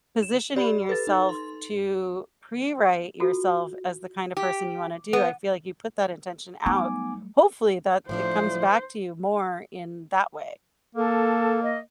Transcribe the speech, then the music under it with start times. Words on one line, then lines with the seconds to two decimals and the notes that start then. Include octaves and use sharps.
positioning yourself to prewrite yourself as the kind of person you want to do. I feel like you put that intention out. Hopefully that it comes back to you more in that way.
0.22 E7
0.56 G4 D5 B5
0.89 A4 B4 A6
1.07 D#4
1.29 C6
3.20 F4 F#4 A4
4.37 G4
5.13 B3
6.66 F#3 G3 A3 B3 D#4 G#5 D6
8.09 A2 F3 D4 C5
10.95 A#3 A4
11.62 D#5